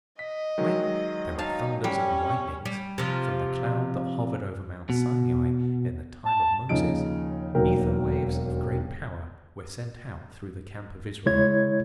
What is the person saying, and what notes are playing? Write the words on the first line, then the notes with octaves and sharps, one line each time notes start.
When "there were thunders and lightnings" from the cloud that hovered over Mount Sinai in the time of Moses, ether-waves of great power were sent out through the camp of Israel.
D#5 B6
D#3 F#3 G#3
D#4 F5 A5
G3 C#4
C#6
G3
C3 F3
B2
A5
D#2 C#3 F3 D#4 D7
E1 D#2 F#3 A#4 G5
C#3 G#3 E4 C#5 G#6